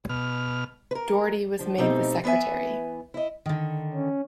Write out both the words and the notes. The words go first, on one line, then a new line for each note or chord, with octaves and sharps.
Doherty was made the Secretary.
B2 F6
A#4 B4
F3 D4
G2 B2 G3 A3 C4 D#4
E3 B3 D5 E5 G#5
E4 D#5
D3 D#3
C#4